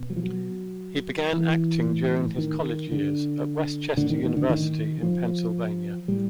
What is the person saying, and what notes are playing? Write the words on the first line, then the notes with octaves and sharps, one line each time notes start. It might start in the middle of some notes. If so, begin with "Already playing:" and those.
He began acting during his college years at West Chester University, in Pennsylvania.
Already playing: B2
F#3
F3
F#3
E3
A2
D#3
D3
A2 D3
D#3
D#3
D3
D#3
F3
A2 G3